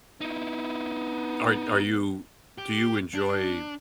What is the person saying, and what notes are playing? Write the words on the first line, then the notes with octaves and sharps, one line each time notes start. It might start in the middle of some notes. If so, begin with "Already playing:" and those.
Are are you do you enjoy
B3 D#4 E4
G4
D4